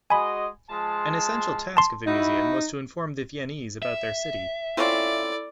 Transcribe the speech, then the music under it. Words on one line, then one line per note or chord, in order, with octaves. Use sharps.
An essential task of the museum was to inform the Viennese about their city.
G#3 F#4 D#5 G#5 B5
F3 G#3 A5
A5 C6
D#4 E4 F#4
E5
C4 C#4 E4 F4 A4 D5